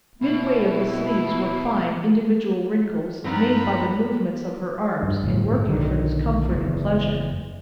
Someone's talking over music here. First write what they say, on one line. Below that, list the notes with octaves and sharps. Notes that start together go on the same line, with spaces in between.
Midway of the sleeves were fine, individual wrinkles made by the movements of her arms in working for his comfort and pleasure.
B2 E4
G2 F3 C4 D#4 F4 F#5 A#5 B5
G2
G1 A2 F3
B1 D3 D#3
F#1 E2